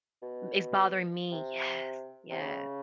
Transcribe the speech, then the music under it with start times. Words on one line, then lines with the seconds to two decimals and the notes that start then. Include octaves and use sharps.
M "It's bothering me." Yes, yeah.
0.22 B2
1.32 C3
2.30 C3
2.41 C#3